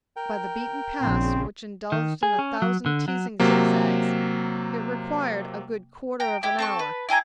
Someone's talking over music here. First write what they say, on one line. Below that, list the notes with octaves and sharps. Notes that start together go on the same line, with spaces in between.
By the beaten paths, which indulge in a thousand teasing zigzags, it required a good quarter of an hour.
A#4 G5
A#1 C#3 C4
D#3
G#4
C#4
F#3
D3
F#3
C3 F#3 A#3
G5 A#5
E4 G4
C4 A4 C#6
B4
E4 G4 G#4 A#5